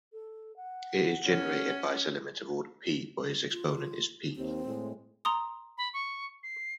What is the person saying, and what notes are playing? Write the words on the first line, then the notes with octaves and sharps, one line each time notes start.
It is generated by its elements of order "p", but its exponent is "p".
A4
F#5
C#4
F4
D#2 C4
A2 G#3
A#5 C6 D#6
B5
C#6
C7